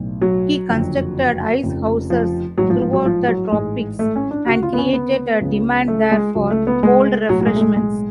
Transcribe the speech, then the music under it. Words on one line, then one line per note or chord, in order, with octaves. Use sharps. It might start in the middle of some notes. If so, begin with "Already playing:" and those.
He constructed icehouses throughout the tropics and created a demand there for cold refreshments.
Already playing: B1 A2
F#3
F#1 F2 D3
F1 F2 C#3
F3
A1 G#2 F#3
F3
F3
F#3
F3
F#3
A1 G#2 G#3
A3
C#4
D4
D2 C#3 F#4
F4
B3
C#4
B3
C#2 C#3
A3
G#3
C#2 C#3 F#3
A3
B3
G#3
B1 A2 F#3
F#3
G#3
A3
G#3
G#3